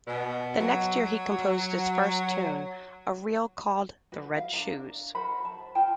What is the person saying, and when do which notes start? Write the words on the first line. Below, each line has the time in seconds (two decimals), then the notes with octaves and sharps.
The next year he composed his first tune, a reel called "The Red Shoes".
0.07 B2
0.59 F#3
4.12 F#4 B4
4.37 F5
4.53 D4 D#4 A#4
5.15 F#4 A#4 C5 B5
5.45 A5
5.75 F4 G5 A5